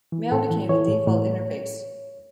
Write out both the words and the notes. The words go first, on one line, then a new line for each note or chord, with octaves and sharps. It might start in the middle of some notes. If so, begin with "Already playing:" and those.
Mail became the default interface.
E3
A2 A4
E3
E3 C#5
A2
A2